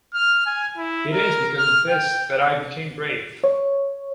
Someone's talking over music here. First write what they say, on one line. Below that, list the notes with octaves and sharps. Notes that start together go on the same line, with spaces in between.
It is because of this that I became brave!
F6
G#5
E4
A#4
F6
G5
C#5